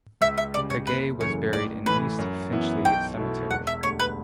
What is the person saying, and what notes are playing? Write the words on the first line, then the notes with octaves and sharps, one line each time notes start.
Paget was buried in East Finchley Cemetery.
C#2 E5
E5
C#3 G3 D5
C#5
F#1 B4
F#2 C#3 E3 A3 C#5
A1 D5
A2 E3 B4
F#2
E3 B3 E4
B1 G5
B2 A3 E4
E1 F#5
E5
D2 D3 G3 C#5
B4